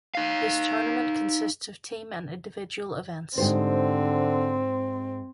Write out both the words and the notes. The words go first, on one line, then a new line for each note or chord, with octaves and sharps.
This tournament consists of team and individual events.
D#4 F5
G#2 D3 C4 G4 C5